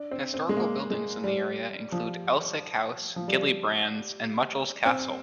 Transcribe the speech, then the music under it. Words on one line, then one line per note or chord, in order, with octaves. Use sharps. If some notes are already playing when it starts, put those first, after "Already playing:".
Historical buildings in the area include Elsick House, Gillybrands and Muchalls Castle.
Already playing: D4
C4
C4
G#3
A#3
G#3
G3
F3
F3
G3
C4